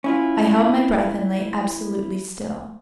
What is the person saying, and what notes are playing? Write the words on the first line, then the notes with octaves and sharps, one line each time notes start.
I held my breath and lay absolutely still.
C#4 E4 F4